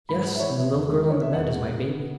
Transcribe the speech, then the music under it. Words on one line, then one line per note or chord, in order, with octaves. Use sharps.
"Yes, and the little girl in the bed is my baby."
G#2 B5
G#3 F#5
E5
E3 C#5
B3 E5
E2
G#3
E3
C#5
B3 E5
E2 F#5
G#3
C#3
B3